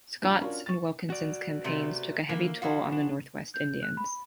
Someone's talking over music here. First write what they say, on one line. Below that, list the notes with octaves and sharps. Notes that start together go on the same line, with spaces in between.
Scott's and Wilkinson's campaigns took a heavy toll on the Northwest Indians.
G2 F3 D4
C#4 D4 F4 F#4 A#4
C#6 A6
F#4 D5
C3 A3 B3
D3 E3 A#3
E3 F3 F#4 F5
D4
G6
F#6
B5